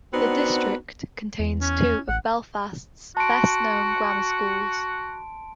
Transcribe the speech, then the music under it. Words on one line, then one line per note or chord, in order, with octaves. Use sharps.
The district contains two of Belfast's best known grammar schools.
B3 C4 D4 D#4 F#4
E2
C#4
A1 F#5
F#4 A5 C6 D7